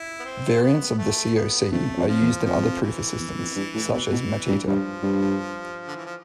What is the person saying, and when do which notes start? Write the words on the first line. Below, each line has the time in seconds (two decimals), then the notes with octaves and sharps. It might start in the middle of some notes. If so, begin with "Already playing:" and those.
Variants of the CoC are used in other proof assistants, such as Matita.
Already playing: E4
0.20 B3
0.25 C4
0.62 B3
0.98 A3
1.36 B3
1.72 F2 A3
1.97 F2
2.09 F3
2.21 E2
2.45 F2 F3
2.82 E3
3.19 E2
3.38 F2
3.56 G2
3.75 A2
3.92 B2 E3
4.11 B2
4.49 G2
4.67 G2 F3
5.03 G2
5.87 D3
5.96 E3
6.05 F3